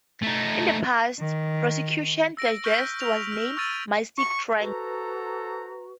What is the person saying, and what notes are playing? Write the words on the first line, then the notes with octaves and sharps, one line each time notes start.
In the past "Rosicrucian Digest" was named "Mystic Triangle".
A3 D#4
D#3
E6 A#6 D7
C#6 F6 G6 B6 D7
E6 F7
F6
C#6 E6 F6 A6 D#7
C#6
F#4 A4 B4 C5 F#5 A#5